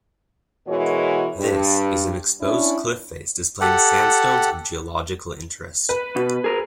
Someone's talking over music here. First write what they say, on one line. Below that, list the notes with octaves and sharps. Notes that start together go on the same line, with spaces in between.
This is an exposed cliff face displaying sandstones of geological interest.
B2 E3 G#3 F#4 A#4 C#5
G2
C#4 D4 E4
G4 A4 F#5
B4
B2
G#4 A#4